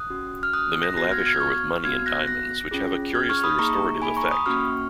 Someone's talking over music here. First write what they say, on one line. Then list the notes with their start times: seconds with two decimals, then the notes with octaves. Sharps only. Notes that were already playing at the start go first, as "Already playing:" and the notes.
The men lavish her with money and diamonds, which have a curiously restorative effect.
Already playing: D#6 F#6
0.10 C#4 F#4
0.43 F6
0.53 D#6 F#6
0.83 F#6 A#6
0.97 B3 F#4 F#6 A#6
1.12 F6 G#6
1.26 F6 G#6
1.40 C#6 F6
1.84 B3 F#4 F6 G#6
2.06 F#6 A#6
2.27 F#6 A#6
2.71 C#4 F4 G#4
3.14 F6 G#6
3.30 C#6 F6
3.44 B5 D#6
3.59 A#3 D#4 G#4 A#5 C#6
4.02 G#5 B5
4.17 A#5 C#6
4.31 B5 D#6
4.46 A#3 C#4 F#4 C#6 F6